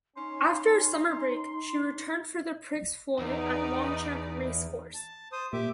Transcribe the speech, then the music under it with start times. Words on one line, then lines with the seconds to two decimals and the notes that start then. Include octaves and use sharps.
After a summer break she returned for the Prix Foy at Longchamp Racecourse.
0.17 C#4 D#4 C6
3.19 E2 D#4 B4 D5
4.94 A5
5.32 C5 D#6
5.53 A#2 G4 E5 D6